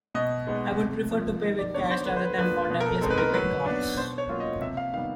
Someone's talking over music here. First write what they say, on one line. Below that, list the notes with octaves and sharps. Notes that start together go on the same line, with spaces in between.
I would prefer to pay with cash rather than contactless prepaid cards.
B2 D#5
G#3 B3 D#4
C3
F3 A#3
D#3 D#5
D5
F#3 B3 D4 C#5
C5
D3 B4
C5
B4
F3 A#3 D4 F4 B4
B2
A#4
A4
G#3 C4 D#4 A4
B4
A#4
F#3 B4
B3 D4
B2 C5
C#5
F#3 A#3 C#4 F4
D#5
C3 E5
F5
D#3 G3 B3 F5